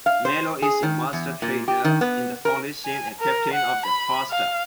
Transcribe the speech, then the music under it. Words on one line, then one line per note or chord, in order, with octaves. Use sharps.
Mallow is a Master Trader in the Foundation and captain of the "Far Star".
F5
C5
G#4
D#3
E2
A#2
G4
D#3
B3
A#4
G#5
A#4
F#5
B5
F5